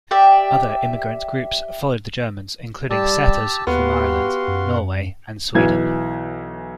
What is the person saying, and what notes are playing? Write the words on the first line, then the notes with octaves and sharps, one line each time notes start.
Other immigrant groups followed the Germans including setters from Ireland, Norway and Sweden.
G4 D5 E5
G3 G4 A5 E6
D#2 B3 F#4 G4 F5 C6
F#2
B1 E3 G#6